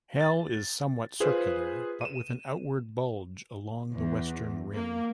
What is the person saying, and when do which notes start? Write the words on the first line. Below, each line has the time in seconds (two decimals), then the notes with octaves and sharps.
Hell is somewhat circular but with an outward bulge along the western rim.
0.21 A6
1.20 F4 G#4 B4 C5
2.01 D#7 E7
3.93 E2
4.73 A#3